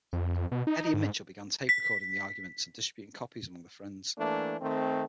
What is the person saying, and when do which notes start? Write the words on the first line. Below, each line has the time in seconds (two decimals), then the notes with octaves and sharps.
Eddie and Mitchell began tape recording the arguments, and distributing copies among their friends.
0.13 F2
0.52 B2
0.67 D#4
0.94 G#2
1.69 B6
4.18 E3 A3 A#3 D4
4.61 D#3 A3 C4